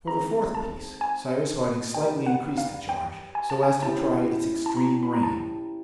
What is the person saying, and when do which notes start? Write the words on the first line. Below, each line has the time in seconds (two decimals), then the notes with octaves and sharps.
For the fourth piece Cyrus Harding slightly increased the charge, so as to try its extreme range.
0.07 G#3 C4 D#4 A#5
0.55 A5
1.01 G#5
1.94 D#4 G4 B4 D5 G5
2.26 F#5
2.58 F5
2.89 G5
3.35 G#5
3.50 A5
3.63 G#5
3.82 C#4 E4 G4 C5 A5
4.66 A5
4.77 A#5
5.03 B5
5.14 A#5
5.23 A5